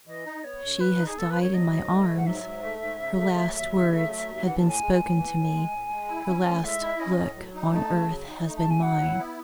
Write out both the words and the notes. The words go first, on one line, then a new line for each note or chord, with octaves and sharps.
She has died in my arms: her last words have been spoken to me, her last look on earth has been mine.
E3 D#5
D#4
B3 C#5
F#2
E3 B4
D#4
G#4
B3 A4
B4
F#2
C#5
F#3 D#5
G#2
A3
G#2
F#5
F#3 E5
G#2
A3
G#2
C#3
A3
F#3
D#2
C#3
A3
F#3
D#2
E3 F#5
A2 A5
G#5
G#3
G#5
A2
E3
A2
G#3
A2
G#3
E4
C#4
A2
G#3 E5
E4
C#4 D#5
A2
F#3
D#4
A3 A5
C#3
F#3
D#4
A3
A5
C#3
G#5
F#3 F#5
E4
B3